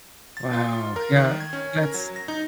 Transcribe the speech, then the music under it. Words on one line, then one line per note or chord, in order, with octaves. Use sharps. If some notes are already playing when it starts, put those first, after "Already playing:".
Wow, yeah, that's
A6
F4
A#4
D#3
G#6
C#4
A#4
F#3
A#6
D#4